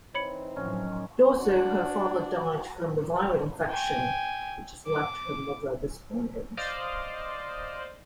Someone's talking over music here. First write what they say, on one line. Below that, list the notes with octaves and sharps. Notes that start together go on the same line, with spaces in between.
Also, her father died from a viral infection, which has left her mother despondent.
E3 C4 D#4 C#5 B5 C#7
A2 D#3 F3 F#3 C#4
D4 F#4
F#4
G5 G#5
D6
C5 D5 D#5 F5